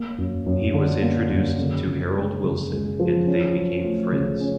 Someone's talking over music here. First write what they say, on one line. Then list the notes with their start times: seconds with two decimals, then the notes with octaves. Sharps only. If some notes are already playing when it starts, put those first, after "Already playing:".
He was introduced to Harold Wilson and they became friends.
Already playing: A#3
0.18 F#2
0.46 F#2
0.74 D3
1.02 A#3
1.30 F#2
1.58 C#3
1.87 C#3
2.15 G#3
2.43 C#3
2.71 G#3
3.00 F3
3.27 C#4
3.55 F#3
3.84 A3
4.12 C#3
4.40 C#4